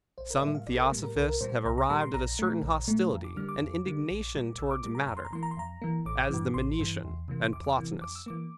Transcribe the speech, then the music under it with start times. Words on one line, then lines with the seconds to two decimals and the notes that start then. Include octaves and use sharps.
Some theosophists have arrived at a certain hostility and indignation towards matter, as the Manichean and Plotinus.
0.18 A#1 C5
0.31 A#4
0.38 D5
0.42 A2 G3 A#3 E5
0.55 F5
0.67 A#1 D5
0.75 A4
0.80 A#4
0.92 A2 G3 A#3
1.04 A#4
1.16 C2 A#4
1.29 A#4
1.41 A#2 G3 A#3 C5
1.65 C2 A#5
1.78 A#5
1.89 A#2 G3 A#3 A#5
2.01 C6
2.14 A#1 A#5
2.39 A#2 A3
2.62 A#1
2.88 A#2 A3
3.12 F2
3.24 D6
3.37 D3 G3 A#3 F6
3.49 D6
3.60 F2
3.85 D3 G3 A#3
4.10 A#1
4.35 A#2 G3 A#3
4.58 A#1 E6
4.71 D6
4.83 A#2 G3 A#3 D6
4.95 A#5
5.07 F2 A#5
5.17 C6
5.25 A#5
5.32 E3 A#3 C6
5.43 A#5
5.51 C6
5.57 F2 A#5
5.82 E3 A#3
6.05 A1 D6
6.30 G2 E3
6.54 A1 C6
6.79 G2 E3
7.04 E2
7.28 C3 E3 A#3
7.53 E2 D6
7.64 D6
7.77 C3 E3 A#3
8.01 F2 D6
8.15 E6
8.26 E3 A#3 D6